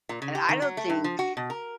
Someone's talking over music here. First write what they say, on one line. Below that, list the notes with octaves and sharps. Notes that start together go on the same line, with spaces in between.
and I don't think
A#2
C#3
G4
D#3
F#3
A3
G2
F3
F#4
B2
A#4